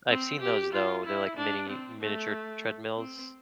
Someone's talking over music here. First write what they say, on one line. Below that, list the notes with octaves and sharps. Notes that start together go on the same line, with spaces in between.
I've seen those, though. They're, like, mini miniature treadmills?
C4
G4
F4
E4
D4
C4
A3
C4